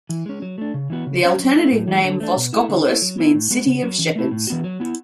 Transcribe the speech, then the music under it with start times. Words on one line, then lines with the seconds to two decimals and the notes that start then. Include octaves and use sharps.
The alternative name "Voskopolis" means "City of shepherds".
0.09 E3
0.26 G#3 C#4
0.42 F#3
0.58 A3 D4
0.74 C#3
0.90 E3 B3 F#4
1.07 C#3
1.23 F#3 C#4
1.39 F#3
1.55 A3 E4
1.72 A2
1.88 E3 G#3
2.04 D3
2.20 A3 D4
2.37 B2
2.53 A3 E4
2.69 D3
2.85 A3 E4
3.02 F#3
3.18 B3 E4
3.34 A2
3.51 G#3 B3 F#4
3.66 C#3
3.83 F#3 C#4
3.99 E3
4.16 A3 E4
4.31 A2
4.47 E3 B3 F#4
4.64 F#3
4.80 B3 E4